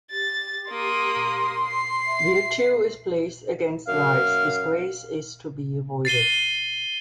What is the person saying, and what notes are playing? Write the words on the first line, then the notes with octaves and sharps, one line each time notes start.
"Virtue" is placed against "Vice", "Disgrace" is to be avoided.
G4 A6
A#3 C6 D#6
C7
E5
F#2 F5
A6 C7 D#7 G7